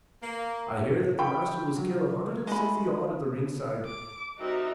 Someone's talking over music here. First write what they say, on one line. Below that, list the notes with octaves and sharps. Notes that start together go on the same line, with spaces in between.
"I hear that the Master will scale a hundred and sixty odd at the ring-side."
A#3
G5 B5 C#6
F#3
G#3 A3 B5
D6
G3 C4 D#4 F#4 A#4 E5